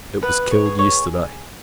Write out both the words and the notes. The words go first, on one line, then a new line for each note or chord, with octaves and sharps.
It was killed yesterday.
B3 B4
C#5
G#4
C#5